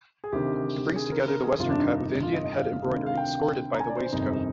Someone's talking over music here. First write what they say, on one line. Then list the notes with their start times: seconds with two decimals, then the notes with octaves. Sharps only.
It brings together the western cut with Indian hand-embroidery escorted by the Waist coat.
0.24 G#4
0.32 D2 C3 D#3 G4
0.96 G#4
1.12 A#4
1.28 A#4
1.44 G#4
1.59 G1 F2 C3 D#3 F4
1.70 D4
1.80 D#4
2.23 F4
2.33 D#5
2.44 D#5
2.54 F5
2.86 D2 C3 D#3
3.06 F5
3.17 G5
3.75 A#5
3.80 G#5
3.89 D5
3.97 C5
4.12 G1 F2 C3 D#3 D#4